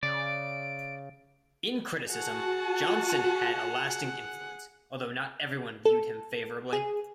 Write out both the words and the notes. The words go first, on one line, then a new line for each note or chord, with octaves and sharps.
In criticism, Johnson had a lasting influence, although not everyone viewed him favourably.
C#3 D5 D7
F#4 G#4 F#5 A5
A4
G#4